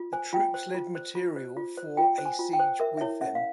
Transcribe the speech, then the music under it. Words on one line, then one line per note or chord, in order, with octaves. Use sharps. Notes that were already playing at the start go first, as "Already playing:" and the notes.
The troops led material for a siege with them.
Already playing: F4
C5 G#5
F4 G5
C5
F4
C5
F4
C5
F4
C5
F4 G5
C5
G#5
F4
G5
C5
A#4 E5
E5
E4 C#5
C#4 E5
F5